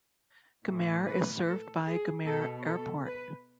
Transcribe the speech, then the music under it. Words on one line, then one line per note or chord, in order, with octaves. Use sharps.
Gumare is served by Gumare Airport.
A2 E3
B4
A4
G#4
B2 A4
A4
B4